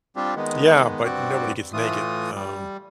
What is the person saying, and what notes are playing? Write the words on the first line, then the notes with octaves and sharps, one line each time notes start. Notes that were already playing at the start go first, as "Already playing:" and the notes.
Yeah, but nobody gets naked. Um
G3 C4 D4 F4 G4
D#3 G#3 B3
G2 C4 F#4 D5
A2 E3 A3 F4 D#6
G3